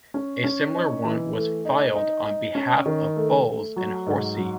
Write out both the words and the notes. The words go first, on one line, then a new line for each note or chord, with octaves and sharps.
A similar one was filed on behalf of Bowles and Horsey.
C#4
C#4
D#4
E3
A3
D#4
D#4
D#4
C#4
D#3
A3
A3
F#3
G#2
F#3